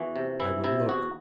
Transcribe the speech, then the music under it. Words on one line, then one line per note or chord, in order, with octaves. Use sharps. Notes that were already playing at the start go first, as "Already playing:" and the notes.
I will look.
Already playing: E2 E3 F#4
C3
E3 E4
C3 E4
E2 F#4